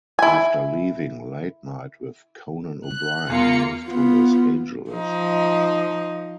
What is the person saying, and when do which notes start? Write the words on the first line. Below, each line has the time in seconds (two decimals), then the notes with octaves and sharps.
After leaving "Late Night with Conan O'Brien", he moved to Los Angeles.
0.19 E4 G#5
2.87 F#6
3.30 E2 A#3 F4 C#7
3.86 B3 F4
4.91 F3 D#4